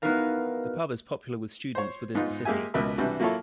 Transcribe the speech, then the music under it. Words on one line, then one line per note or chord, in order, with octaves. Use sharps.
The pub is popular with students within the city.
B3 D#4 E4 F#4 A#4 F5
C5 C#5
G#2 B3 D#4 F4
G#3 A#3 G4 E5 G#5
C#2 B2 A#4 B4 E5
C3 E3 G3 D4 F#4
F#3 A#3 E4 F4 A4 C#5